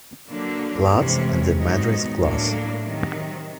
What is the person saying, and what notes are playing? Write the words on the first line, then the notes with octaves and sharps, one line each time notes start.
Platts and the Madras Gloss.
D3 F#3 A#3 D4
F2 C3 E3 G#3 C#4
G#2 D#3 F#3 B3 D#4
A2 F#3 A#3 D4
C3 D#3 F#3